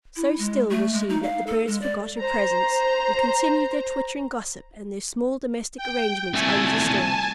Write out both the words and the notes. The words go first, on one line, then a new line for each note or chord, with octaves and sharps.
So still was she that the birds forgot her presence, and continued their twittering gossip and their small domestic arrangements undisturbed.
E4
G#3
A3
G#3
D#4
F5
A4
G#3
D5
C5 A#5
G5
C2 A3 G#5 A5